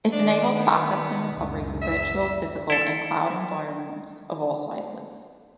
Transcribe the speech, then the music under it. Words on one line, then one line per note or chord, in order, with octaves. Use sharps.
It enables backups and recovery for virtual, physical and cloud environments of all sizes.
D#3 D4
B3
C#2 F#2
E5
E4 A4